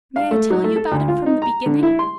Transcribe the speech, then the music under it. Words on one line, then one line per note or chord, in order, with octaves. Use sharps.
'May I tell you about it from the beginning?'
F5
A3
F#3
A3
A4
D2
F4
D#4
A#5
D3
E4
C6